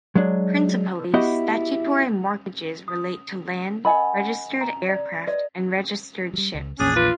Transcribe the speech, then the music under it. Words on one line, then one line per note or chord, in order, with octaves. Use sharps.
Principally, statutory mortgages relate to land, registered aircraft and registered ships.
F#3 G#3 D4
B3 E4 F#4 G4 D#5 F#5
D#6
C#4 A#4 D#5 F#5 G#5 B5
A#5
D5
B4 D5 D#5
F#3 G3
C#2
A#1 E2 A#2 C#4 D4 G#4
F4 B4